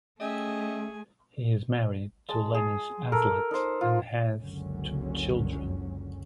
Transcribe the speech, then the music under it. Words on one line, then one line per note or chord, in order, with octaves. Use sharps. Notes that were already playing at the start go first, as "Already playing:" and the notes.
He is married to Lenis Hazlett and has two children.
A3 C#4 G4 G#4 D#5 E5 G#5
G#3 A5
G#4
A4 A#4
D#4 C5
F4
F#1 C#2 F#2 D3 F#3 C#4